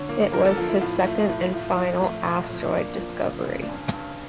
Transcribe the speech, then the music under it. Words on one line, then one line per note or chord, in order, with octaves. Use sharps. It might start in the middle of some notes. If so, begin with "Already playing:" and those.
It was his second and final asteroid discovery.
Already playing: D3 C#5
A#3
F3 A#4
A4
F3 F4
E4
A2 F4
A3
A2
A2
F3 F4
A3
A#2
F3
A#3 D4
F3
C#3
C#3
D4
G2 C#4
G2